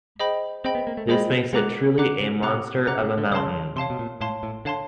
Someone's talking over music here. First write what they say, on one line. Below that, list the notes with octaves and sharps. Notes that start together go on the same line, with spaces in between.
This makes it truly a monster of a mountain.
G#4 C5 D#5 G5 B5
C4 G#4 C5 D#5 G5 B5
B3
A#3
A3
G#3 G#4 C5 D#5 G5 B5
G#3 F#5 A#5 D6 F#6
D3 F#5 A#5 D6 F#6
C#3
C3 F#5 A#5 D6 F#6
C#3 F#5 A#5 D6 F#6
C#3
D3
C#3 C#5 F5 A5 C6
C3 C#5 F5 A5 C6
B2
A#2
A2 C#5 F5 A5 C6
A2
D3 C#5 F5 A5 C6